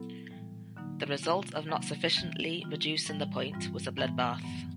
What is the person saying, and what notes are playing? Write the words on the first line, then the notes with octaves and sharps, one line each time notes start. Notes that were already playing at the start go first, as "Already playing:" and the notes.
The result of not sufficiently reducing "the Point" was a bloodbath.
Already playing: A#2 F#3 B3 E4 A4
A2 E3 G3
D3 F#3 A#3 D#4
B2 G#3 C4 F4
C3 D#3 F#3 A#3 D#4
E3 G3 A#3 C#4
D#3 G3 B3 D4 F4
A2 E3 G3
G2 E3 G3 C4 F4
A2 E3 G#3 B3
F#2 D#3 F#3 B3